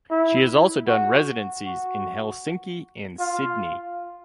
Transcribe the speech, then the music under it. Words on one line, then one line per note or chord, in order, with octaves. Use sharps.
She has also done residencies in Helsinki and Sydney.
E4
F#4
F#4
F4